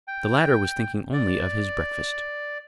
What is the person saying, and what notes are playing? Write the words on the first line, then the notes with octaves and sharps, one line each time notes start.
The latter was thinking only of his breakfast.
G5
D5